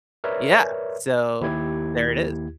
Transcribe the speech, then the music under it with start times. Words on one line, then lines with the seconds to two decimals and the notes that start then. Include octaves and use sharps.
Yeah. So, there it is.
0.24 A#4 B4 C#5 D5 E5
1.41 D#2 E4 G4 G#6